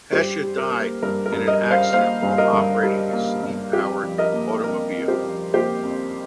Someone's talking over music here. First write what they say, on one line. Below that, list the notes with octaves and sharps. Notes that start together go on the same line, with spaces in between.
Pesha died in an accident while operating his steam-powered automobile.
G2 G4 C5
G3
A#4
A#3
G2 A#4
A#4
G2
A#4 D#5
G3
C5 F5
A#3 C5 F5
G2
A#4 D#5
G2
G3 A#4
A#3
G2
F2 G4
F3
A#4 D#5
A#3
F2 A#4
F2
G4 C5
F3
A#3 G4 C5
F2